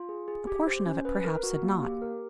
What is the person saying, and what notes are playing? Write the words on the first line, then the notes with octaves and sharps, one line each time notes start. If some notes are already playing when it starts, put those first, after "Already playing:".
A portion of it perhaps had not.
Already playing: F4
G#4
G#4
G4
C5
C#4
B4
A#4
F#4
A#3
G4
A#4